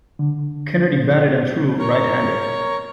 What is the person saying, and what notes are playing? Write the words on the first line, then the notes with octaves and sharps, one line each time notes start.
Kennedy batted and threw right-handed.
D3
A#4 C#5